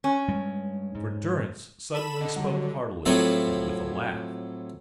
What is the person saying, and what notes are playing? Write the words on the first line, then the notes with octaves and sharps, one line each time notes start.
For Durrance suddenly spoke heartily, and with a laugh.
C#4
G2 G#3
G#2
A4 B5 E7
D3 D#5
D#3 F#3 G3
A2 F3 F#3 C4 E5